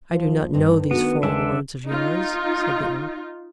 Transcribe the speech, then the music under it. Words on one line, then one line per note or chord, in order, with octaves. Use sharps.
"I do not know these foreign words of yours," said the Oak.
E2 F3
G2 D#3 C4 D#4 B4
A3 B3 D4 F#4
D#2 D3 G#3 D4 E5 A5
D#4 F4